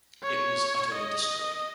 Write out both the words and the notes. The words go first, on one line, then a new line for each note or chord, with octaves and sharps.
It was utterly destroyed.
C#5
D#5